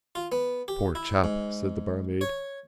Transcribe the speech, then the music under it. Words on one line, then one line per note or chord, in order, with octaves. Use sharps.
"Poor chap!" said the barmaid.
F4
B3
G4
E4
G#2
C#5